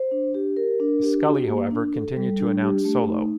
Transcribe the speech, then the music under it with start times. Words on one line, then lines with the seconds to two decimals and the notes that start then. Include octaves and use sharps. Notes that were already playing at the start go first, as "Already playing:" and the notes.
Scully, however, continued to announce solo.
Already playing: C5
0.11 D4
0.34 G4
0.57 A#4
0.80 D4
1.02 G4
1.25 F#4
1.48 A#3
1.71 D4
1.94 A4
2.17 G3
2.39 D4
2.62 G4
2.85 A3
3.07 D#4